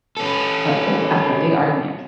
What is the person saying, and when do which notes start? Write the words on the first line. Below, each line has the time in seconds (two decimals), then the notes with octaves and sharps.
a b oh, after a big argument?
0.17 C#4 A4